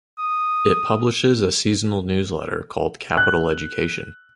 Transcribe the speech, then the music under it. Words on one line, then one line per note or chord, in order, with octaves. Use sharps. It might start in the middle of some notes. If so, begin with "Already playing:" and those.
It publishes a seasonal newsletter called "Capital Education".
D#6
F#6